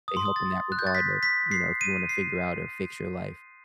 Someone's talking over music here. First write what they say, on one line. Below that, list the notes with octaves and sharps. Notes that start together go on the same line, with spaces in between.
they help in that regard of, you know, if you wanna figure out or fix your life.
D#6
C6
D#6
A6
F#6
G6
A6
B6
B6
C7
D#7
C7